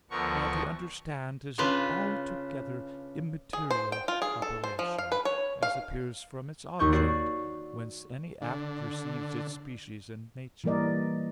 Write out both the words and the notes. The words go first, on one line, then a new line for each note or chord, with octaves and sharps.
Now to understand is an altogether immaterial operation, as appears from its object, whence any act receives its species and nature.
D2 D3 F3 B3 A#4 C#6
C#3 D4 F4 B4
G#4
C5
G5
F4
G#4
A4
C5
F3
F5
B4
C#5
F5
D#2 D#4 C#6 G6
F#4 D5 C#6 C7
D3
E3 G3 A#3 A#4 D5 D#5